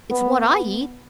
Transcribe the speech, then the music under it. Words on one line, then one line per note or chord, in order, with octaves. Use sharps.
"It's what I eat."
B3
B3